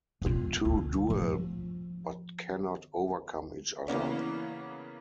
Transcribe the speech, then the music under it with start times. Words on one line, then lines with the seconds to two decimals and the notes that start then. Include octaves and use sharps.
The two duel but cannot overcome each other.
0.22 E1 F4
0.65 D2
1.10 F3
3.88 C#3 E3 A#3 B3 C#4